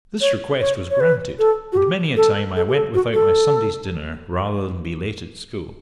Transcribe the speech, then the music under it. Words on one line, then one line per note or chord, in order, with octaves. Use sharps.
This request was granted, and many a time I went without my Sunday's dinner rather than be late at school.
C#5
C#5
C#5
B4
A4
F#4
G4
A4
A4
G4
A4
F#4
A4